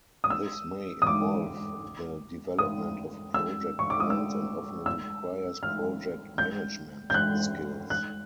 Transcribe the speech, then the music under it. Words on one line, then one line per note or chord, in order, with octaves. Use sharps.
This may involve the development of project plans and often requires project management skills.
D#6
E6
D#6
D6
D#6
E6
C#6
D6
D#6
E6
E6
F6
G6
G6
F#6
F#6